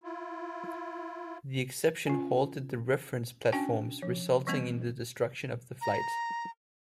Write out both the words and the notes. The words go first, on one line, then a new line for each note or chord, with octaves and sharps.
The exception halted the reference platforms, resulting in the destruction of the flight.
E4 F4
C#4 F4
C#4 D4 F#4 G5 A5
F3
E3 G3 B3 C4
A#5